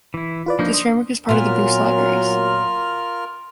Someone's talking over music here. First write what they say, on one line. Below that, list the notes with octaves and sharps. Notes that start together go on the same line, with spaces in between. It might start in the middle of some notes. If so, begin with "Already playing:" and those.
This framework is part of the Boost libraries.
E3 E4
F4 B4 D5
F3 A#3 D4 D#4
C6 D#6
A#2 F#3 B3 F4 A#4 F6